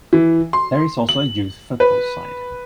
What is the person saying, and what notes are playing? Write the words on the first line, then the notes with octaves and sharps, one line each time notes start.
There is also a youth football side.
E3
C6
F#7
B4